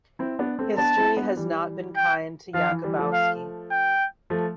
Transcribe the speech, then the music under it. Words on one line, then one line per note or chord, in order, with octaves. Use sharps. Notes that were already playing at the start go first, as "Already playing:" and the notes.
History has not been kind to Jakubowski.
C4 E4
B3 D4
A3 C4
B3 D4 A5
C4 E4
B3 D4
E3 G3
G5
F3 F5
E3
E3 G3
F3 A3
F5
G5
F3 A3